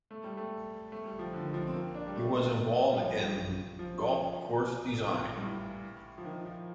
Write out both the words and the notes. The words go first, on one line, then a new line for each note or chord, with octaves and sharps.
He was involved in golf course design.
A3
G3
A3
A3
G3
F3
D3
D#3
F3
C4
A#3
D4
G3
A3
G3
F3
F3
A#2
G2
A2
F3
D#3
F3